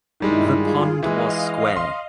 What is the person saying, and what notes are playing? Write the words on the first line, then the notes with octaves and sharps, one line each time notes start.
The pond was square.
G2 D#3 G3 G#3 D#4 E4
F4 G#4
E3 G#3 D#5 F5
C6